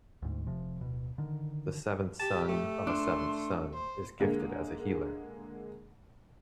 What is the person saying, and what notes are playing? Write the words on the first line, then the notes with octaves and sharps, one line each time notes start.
The seventh son of a seventh son is gifted as a healer.
D2 G#2
F1 C3 F3
D1 B2
D3 D#3
G4 A5
A3
D4 C6
C5
D3 G#3 A#3